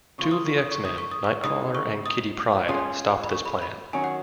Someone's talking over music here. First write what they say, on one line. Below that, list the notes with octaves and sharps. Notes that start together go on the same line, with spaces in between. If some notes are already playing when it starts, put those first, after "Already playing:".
Two of the X-Men, Nightcrawler and Kitty Pryde, stop this plan.
C#3 F3 A#3 F4 C#6
D#6
C#6
D#6
C#6
D#6
C#6
D#6
C#6
C#3 G#3 D#4 D#6
C#6
D#6
G#3 C#4 F4 G#4
B5
C#6
B5
B5
D#3 F#3 C#4 F#4 G#5
F#5